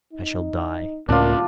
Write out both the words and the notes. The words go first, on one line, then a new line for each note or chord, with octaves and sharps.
I shall die.
D#4
C#2 A2 A#3 C#4 D4 F4